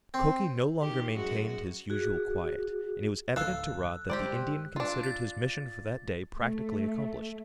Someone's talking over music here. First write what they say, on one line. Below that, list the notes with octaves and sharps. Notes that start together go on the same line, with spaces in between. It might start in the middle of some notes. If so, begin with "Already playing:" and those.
Mukoki no longer maintained his usual quiet, and it was evident to Rod that the Indian considered his mission for that day practically accomplished.
C4
D#3 G4
F#2 G#3 F#4
F#4 G#4
D1 D2 A4 F5 E6 F#6
G1 G#3 G4 C5 D5
D4 F4
A6
A3